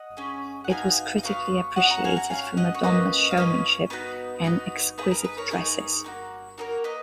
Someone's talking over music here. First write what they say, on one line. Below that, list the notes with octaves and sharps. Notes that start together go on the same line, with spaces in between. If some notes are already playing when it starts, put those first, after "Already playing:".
It was critically appreciated for Madonna's showmanship and "exquisite" dresses.
Already playing: D#5 F#5
C#4 G#4
F#5
B3 D#4 F#4 F5 G#5
D#5
B3 D#4 F#4 C#5 F5
C#4 F#4 D#5 F#5
F#5 A#5
F5 G#5
F#5 A#5
C#4 F#4 F5 G#5
D#5 F#5
C#5
A#3 C#4 F4 B4 D#5
F5
A#3 C#4 F4 B4 D#5
B3 D#4 F#4 B4
B3 D#4 F#4
B3 D#4 G#4 B4
A#4
B4
A#4 C#5
B3 D#4 G#4 A#4 C#5
A#3 D#4 F#4
A#3 D#4 F#4 A#4 C#5
B4 D#5